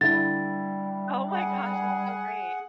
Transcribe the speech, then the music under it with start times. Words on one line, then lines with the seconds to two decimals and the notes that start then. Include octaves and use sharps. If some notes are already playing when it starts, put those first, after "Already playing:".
Oh my gosh. That's so great.
0.01 D3 G3 E4 A6
1.33 G#4 F#5